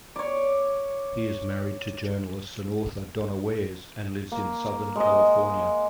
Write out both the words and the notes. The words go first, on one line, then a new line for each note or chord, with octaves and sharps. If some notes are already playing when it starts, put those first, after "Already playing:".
He is married to journalist and author Donna Wares and lives in Southern California.
C#5 D5
A#3
G#3 D#5